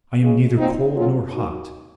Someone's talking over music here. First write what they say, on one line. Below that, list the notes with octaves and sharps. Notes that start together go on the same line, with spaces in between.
I am neither cold nor hot.
C#3 G#3
A#2 F#3 A#3 C4 D#4
C#3 F#3 A#3 C#4 F4
D#3 F#3 A#3 D#4 F#4